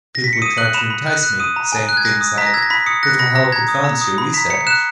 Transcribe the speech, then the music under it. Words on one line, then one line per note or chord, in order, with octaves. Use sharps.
People would try to entice me, saying things like, 'It'll help advance your research.
A#6
B6
C#7
D#6 D#7
F#6 F#7
B5 E7
B5
F#6
F#6
D#6 D#7
A#5
G#5
F#6
G#6
F#6 A#6
D#6
A#5 B6
A#6
E6 G#6
A#6
B5 B6
D#6 C#7
F#6 A#6
B5 A#6
A#5 A#6
A#5 G#6
D#6
A#5
D#6
B5
A#5 B6
A#5 C#7
F#6 E7